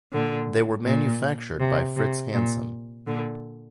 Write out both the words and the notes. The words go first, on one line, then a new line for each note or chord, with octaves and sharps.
They were manufactured by Fritz Hansen.
A#2 D3
A#2
C3
C3
A#2
A#2 D3